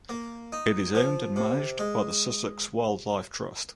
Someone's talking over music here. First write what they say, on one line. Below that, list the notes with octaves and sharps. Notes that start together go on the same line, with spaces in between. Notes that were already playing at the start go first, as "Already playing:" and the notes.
It is owned and managed by the Sussex Wildlife Trust.
A#3
D#4
F3
C3
G#3